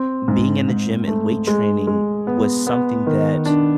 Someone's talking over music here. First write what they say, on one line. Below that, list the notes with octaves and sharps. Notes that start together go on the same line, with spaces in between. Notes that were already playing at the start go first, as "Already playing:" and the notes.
being in the gym and weight training was something that
Already playing: C4
G#2
G#2
A3
G#3
G#3
B3
B3
D#3
D4